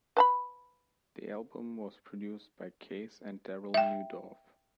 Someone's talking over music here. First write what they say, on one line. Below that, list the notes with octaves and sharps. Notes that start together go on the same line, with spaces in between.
The album was produced by Case and Darryl Neudorf.
B4 A5 B5
E5 G5